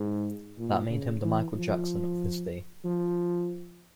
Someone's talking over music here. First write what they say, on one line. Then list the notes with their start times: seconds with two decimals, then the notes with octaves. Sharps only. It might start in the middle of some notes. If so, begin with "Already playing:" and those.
That made him the Michael Jackson of his day.
Already playing: G#2
0.58 A#2
0.90 C#3
1.24 E3
1.56 F3
2.84 F3